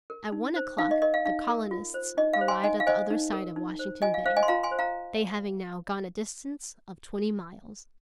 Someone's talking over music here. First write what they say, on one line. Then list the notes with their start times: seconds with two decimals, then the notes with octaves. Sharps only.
At one o'clock the colonists arrived at the other side of Washington Bay, they having now gone a distance of twenty miles.
0.10 A#4
0.32 D#4
0.56 C5
0.78 D#4 F5
0.91 D#5
1.02 A#4 D#5
1.14 F5
1.25 D#4 F5
1.48 A#4
1.71 F4
1.94 C5
2.17 D#4 D#5
2.33 F5
2.41 C5
2.48 G#5 C6
2.63 D#4 D#5 G#5
2.80 F5
2.87 C5 D#5 G#5
3.11 D#4
3.33 A#4
3.56 D#4
3.79 C5
4.02 F4 D#5 G#5
4.14 F5
4.26 C5 F5
4.37 D#5 G#5
4.43 C6
4.48 F4 F5 A#5
4.63 G#5 C6
4.71 C5
4.79 F5 A#5